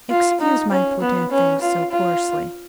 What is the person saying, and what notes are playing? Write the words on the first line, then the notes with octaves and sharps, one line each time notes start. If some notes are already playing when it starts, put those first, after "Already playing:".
Excuse my putting things so coarsely.
F4
D#4
C#4
B3
C#4
F4
F4